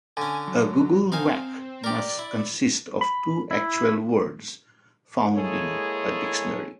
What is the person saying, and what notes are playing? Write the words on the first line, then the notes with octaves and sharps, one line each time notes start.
A Googlewhack must consist of two actual words found in a dictionary.
D3 C#4 G#5
F#3
C4 D#4 F5 G#5
G4 A#4 D5
E4
B5
E4
G#3 A#3 E4 G#4 A4 C#5